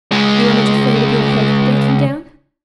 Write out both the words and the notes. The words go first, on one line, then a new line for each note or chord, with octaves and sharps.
"You are not afraid of your health breaking down?"
C#2 G#3